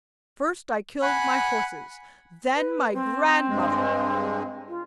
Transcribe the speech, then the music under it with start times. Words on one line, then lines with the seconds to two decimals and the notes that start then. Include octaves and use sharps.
First I killed my horses, then my grandmother!
1.02 F#5 G#5 B5 F#6
2.55 B4
2.93 C4
3.48 G2 G#3
4.68 F4